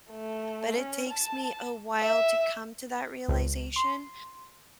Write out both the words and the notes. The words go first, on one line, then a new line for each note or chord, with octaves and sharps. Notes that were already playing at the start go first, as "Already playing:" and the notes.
but it takes me a while to come to that realization.
A3
C#4
A5
E5
C#2
C6